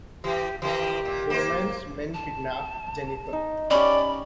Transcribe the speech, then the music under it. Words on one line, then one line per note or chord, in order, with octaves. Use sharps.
Bowman's men kidnap Jennifer.
E3 G4
D#3 E3 G4
A#2
A#3 C5
A5
D#4
C#4 G4 D5 B5